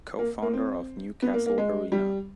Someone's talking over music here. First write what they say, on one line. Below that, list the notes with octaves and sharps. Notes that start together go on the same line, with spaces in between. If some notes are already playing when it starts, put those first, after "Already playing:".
Co-founder of Newcastle Arena.
A#3
A#3
C4
B3
A#3
A#3
G#3
G3